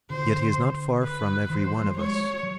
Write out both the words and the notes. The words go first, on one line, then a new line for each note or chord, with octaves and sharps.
Yet He is not far from every one of us.
D3 C5
B4
D#3 C5
F3
G3
G#3 C#5
F#3